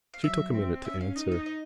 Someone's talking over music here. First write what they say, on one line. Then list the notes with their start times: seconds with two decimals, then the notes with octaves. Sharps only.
She took a minute to answer.
0.14 F5
0.23 F#3 E5
0.54 C4
0.85 C#4 E5
1.01 F5
1.16 D#4 D#5
1.32 D#5
1.46 D#5